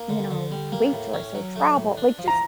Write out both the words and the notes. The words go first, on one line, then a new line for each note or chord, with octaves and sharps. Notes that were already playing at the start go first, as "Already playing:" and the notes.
you know, waitress or travel." Like, just
Already playing: A#3
D3
D3
G3
A#3
A2
C#4
F#3
A3
A2
D4
F3
A#5